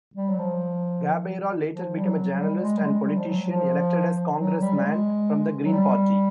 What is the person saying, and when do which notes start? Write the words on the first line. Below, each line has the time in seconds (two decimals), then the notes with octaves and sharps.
Gabeira later became a journalist and politician, elected as congressman from the Green Party.
0.16 G3
0.29 F#3
0.39 F3
1.72 F3
1.98 G3
2.05 F#3
2.39 G3
2.61 G#3
2.78 G3
2.83 G#3
3.05 G3
3.17 F3
3.27 F#3
3.50 F3
4.39 F#3
4.61 G3
4.76 G3
4.84 G#3
5.65 F#3
5.73 G3